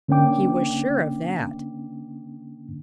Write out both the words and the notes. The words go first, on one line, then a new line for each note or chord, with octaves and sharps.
He was sure of that.
D3 A#3 C#4 D4 G5 D6